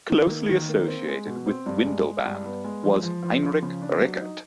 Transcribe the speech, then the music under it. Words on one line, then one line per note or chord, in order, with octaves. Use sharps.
Closely associated with Windelband was Heinrich Rickert.
D#3
A#3
D#3
A#3
C4
G#3
B2
C4
G2
G#3
G#3
G2
B3
G#3
F3
F3
F3
F3
C#3
D4
F#3
D#4